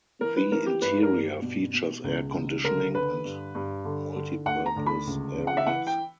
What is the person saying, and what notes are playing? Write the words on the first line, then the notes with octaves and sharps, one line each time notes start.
The interior features air conditioning and multipurpose areas.
E3 A#4
B4
E3 A#4
G4
G2 B4
A#4
G2
B2
B2
C#2
C#2
D3 A#4
D3 B4
G2
G2
D3
D3
D2 F#5
A#5
D2
B5
C#2
C#3
F#5
E5
E3 F#5
G5